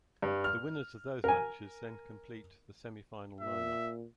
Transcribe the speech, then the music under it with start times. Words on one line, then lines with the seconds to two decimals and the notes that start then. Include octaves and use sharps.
The winners of those matches then complete the semi-final line up.
0.22 G2
0.44 F6
1.24 A#4 G#5
3.41 A#2 E5